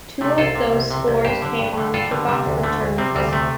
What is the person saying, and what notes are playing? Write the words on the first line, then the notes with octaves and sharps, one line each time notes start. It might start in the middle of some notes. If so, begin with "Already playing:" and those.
Two of those scores came on kickoff returns.
C3 A3
C2 F4 A4
C3
C2
C3
C2
G2 G4 C5
D3
G2
D3
G2 F4 A4
D3 G3
C3 G3
D2
D3 A3
D2
C3 G3 C4
D2 G3 C4
C3 A3